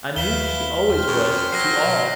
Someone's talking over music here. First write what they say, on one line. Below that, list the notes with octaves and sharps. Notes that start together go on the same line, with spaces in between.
I knew she always was, to all.
D#2 E4 B4 F5 B6 G7
E2 C5 G5 F6
F#2
F3 F#3 A#6 C7
B2